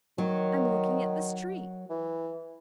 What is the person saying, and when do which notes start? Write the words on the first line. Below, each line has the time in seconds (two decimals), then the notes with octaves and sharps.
'I'm looking at this tree.
0.18 D#3 F#3
1.90 E3